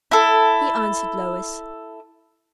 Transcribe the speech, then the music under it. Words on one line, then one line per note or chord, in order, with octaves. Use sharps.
He answered Lois.
E4 A4